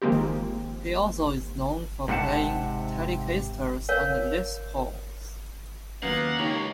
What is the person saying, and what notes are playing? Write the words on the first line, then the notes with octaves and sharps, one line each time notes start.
He also is known for playing Telecasters and Les Pauls.
D#3 F3 G#3 A#3 C4 G4
G#2 C3 D#4 F#5 A5
A#4 C#5 F5
D#2 F#3 A#3 B3 C#4 F#5
C#2 D#4 G4 C#5